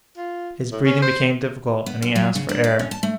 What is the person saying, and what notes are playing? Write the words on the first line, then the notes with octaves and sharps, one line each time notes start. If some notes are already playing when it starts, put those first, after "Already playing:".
His breathing became difficult, and he asked for air.
F4
A2
C#4
C5
B3
F#2
F#3
C#3
D4
D5
C#4
A5
A3